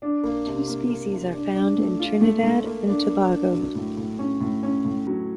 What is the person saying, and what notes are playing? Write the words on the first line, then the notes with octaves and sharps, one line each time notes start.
Two species are found in Trinidad and Tobago.
D4
A#3
C3
A#3
A#3
C3
D4
D4
A3
F4
A3
A3
A#3
D4
A#3
D4
F#3
A2
A2
C#4
A2
C#4
A2
F#3